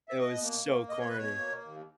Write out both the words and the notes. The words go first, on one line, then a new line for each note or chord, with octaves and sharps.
It was so corny.
E5
B2 D#5
A#3
A#3
B2 D#5
C#5
B4
B2 C#5
A#3
D#2